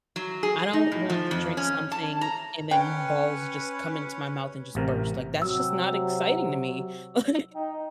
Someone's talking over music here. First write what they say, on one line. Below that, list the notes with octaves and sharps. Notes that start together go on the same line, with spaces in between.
I don't want to drink something and then balls just come into my mouth and just burst, like, that's just not exciting to me, like
F#3
G#4
D#4
A2
F3
F2
C#4
A5
A#5
C#4 B4 G5
A1 C3 A#4
C3 F#3 E6
D#4 G5